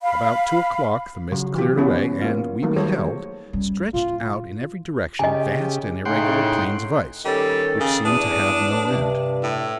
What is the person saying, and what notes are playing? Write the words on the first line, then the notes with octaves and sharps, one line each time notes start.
About two o'clock the mist cleared away, and we beheld, stretched out in every direction, vast and irregular plains of ice, which seemed to have no end.
F5 B5
C#3 F#3
E3 F4 G4
B3 C#4 E4 B4
A#3 F4
D#3 F#3 A3 A#3
G3 G#4 A4 C5 C#5
G3 C#4
A#2 F4
C#3 G4 D#5 G#5
A2 C#3 D#4 F#5 G5 C6
D#3 G3 C#4 A4
C#3
E2 D4 D#6
G2 C3
A2